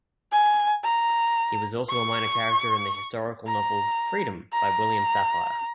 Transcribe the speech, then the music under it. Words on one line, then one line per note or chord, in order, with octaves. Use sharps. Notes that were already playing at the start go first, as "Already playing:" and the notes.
He was also a minor character in the historical novel "Freedom" by William Safire.
G#5
A#5
C#6
A#5
A#5